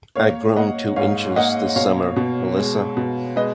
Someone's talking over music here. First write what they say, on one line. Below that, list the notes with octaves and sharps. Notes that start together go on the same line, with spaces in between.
I’ve grown two inches this summer, Melissa.
A#3 C#5 F5
A#3 D#5 F#5
G#2 C#5 F5
A#3 D#5 F#5
B2 C#5 F5
B2
G#3
B2
G#3 B4 D#5